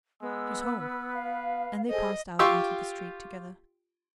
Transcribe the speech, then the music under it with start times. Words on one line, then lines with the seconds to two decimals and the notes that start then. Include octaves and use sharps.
"She's home!" And they passed out into the street together.
0.21 G#3 B3 E6
0.67 B4
1.15 F5
1.90 G#4 A4 C5 D#5
2.39 F4 G4 G5 C6 C#6 E6